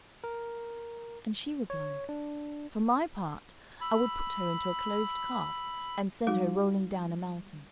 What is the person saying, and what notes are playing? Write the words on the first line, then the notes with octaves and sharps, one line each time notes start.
And she replied, "For my part, I would put her into a closed cask, and send her rolling down a mountain."
A#4
C#5
D4
B5 E6
G3 D#4 F#4